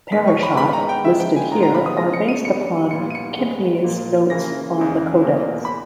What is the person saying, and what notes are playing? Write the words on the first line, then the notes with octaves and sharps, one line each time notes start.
"Parashot" listed here are based upon Kimhi's notes on the codex.
G#2 D#3 G#3 B3 B6
C#6
B5
G#2 D#3 G#3 B3 B5
A#5
G5
C#3 G#3 B3 E5
G5
G#5
A#2 G#3 B3 A#5
A#5
B5
D#6
C#3 G#3 B3 A#6
C#7
D#7
G2 G3 B3 C#7
A#2 G3 B3 C#7
D#7
C#7
G#2 D#3 G#3 B3
A#2 A#3
C#3 E3 A#3 A#6
E2 C#3 E3 G#3
E2 B2 A#3
B5